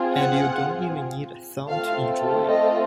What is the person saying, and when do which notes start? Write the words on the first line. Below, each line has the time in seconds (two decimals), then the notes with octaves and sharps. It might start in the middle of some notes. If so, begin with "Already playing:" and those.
And you don't even need a thong to enjoy it.
Already playing: C4 F4 G#4
0.14 F#5
1.69 A3 C4 F4 A4 F5
2.47 D#5